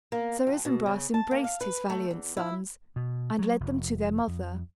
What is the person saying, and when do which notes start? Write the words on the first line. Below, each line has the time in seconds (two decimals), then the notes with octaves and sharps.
Sir Isumbras embraced his valiant sons, and led them to their mother.
0.12 A#3
0.47 F2
0.65 B2
0.86 C#3
1.14 A5
1.31 A#3
1.44 F5
1.61 B4
1.90 A3
2.11 E2
2.37 E4
2.96 B2
3.39 F#3
3.60 F1
4.28 F2